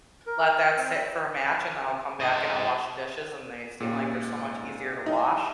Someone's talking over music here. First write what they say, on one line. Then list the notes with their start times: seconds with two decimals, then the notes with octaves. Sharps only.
let that sit for a match and then I'll come back and I'll wash the dishes and they seem like they're so much easier to wash
0.27 A#4
0.77 C4
2.20 C5 D#5
3.80 A#2 C#3 D#4 G4
4.16 G#2
5.06 G3 D#4 E4